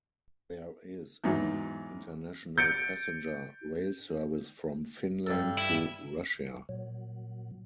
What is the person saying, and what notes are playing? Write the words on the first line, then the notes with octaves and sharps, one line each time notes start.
There is an international passenger rail service from Finland to Russia.
E2 G#2 F#3
G6 A6 C#7 D7
G2 A4
E4
A#2 F#3